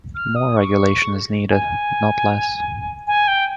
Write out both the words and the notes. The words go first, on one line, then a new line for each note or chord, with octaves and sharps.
More regulation is needed, not less.
F6
D#6
C#6
G#5
G#5
G5